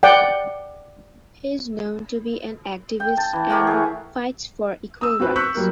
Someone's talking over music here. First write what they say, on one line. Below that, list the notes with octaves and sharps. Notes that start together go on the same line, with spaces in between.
He is known to be an activist and fights for equal rights.
D5 F#5 G5
G5
A5
E3
G4 A#4 C#5 F#5
A3 G#4
D#6 E6
C4 F#4 B4 C5
C#6 E6 F#6 G6 B6
F#3 G3 A#3